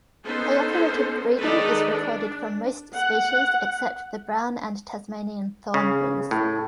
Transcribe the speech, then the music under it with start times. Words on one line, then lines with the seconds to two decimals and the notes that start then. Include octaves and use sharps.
Cooperative breeding is recorded from most species except the brown and Tasmanian thornbills.
0.24 B3 C#4 D#4 A4 C5
1.39 D#3 G#3 D#4 A4 B4 D5
1.93 D4
2.94 F#5
5.74 C#3
6.31 A2